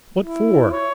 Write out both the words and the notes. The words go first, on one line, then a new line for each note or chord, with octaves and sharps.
What for?
E4
C#5